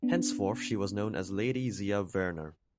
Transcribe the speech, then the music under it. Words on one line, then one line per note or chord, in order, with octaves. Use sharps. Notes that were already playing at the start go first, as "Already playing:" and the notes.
Henceforth she was known as Lady Zia Wernher.
B3 D4